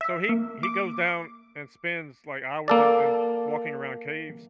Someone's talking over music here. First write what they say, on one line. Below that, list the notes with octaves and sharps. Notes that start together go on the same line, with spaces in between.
So he he goes down and spends, like, hours and and walking around caves?
E5
A#3
D6
A#3 A4 D5